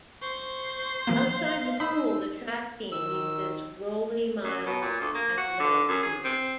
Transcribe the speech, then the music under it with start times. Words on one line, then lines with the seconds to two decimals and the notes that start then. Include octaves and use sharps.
Outside the school, the track team uses Rollie Miles Athletic Field.
0.21 C5 C#6
1.07 E3 F3 A#3 F5
1.80 D#4 B5 E6
2.92 D#3 E6
4.44 F#2
4.66 B2
4.81 A#2
5.00 D2
5.14 A#3
5.38 F#4
5.60 D3
5.89 F#2
6.03 G#4
6.24 C4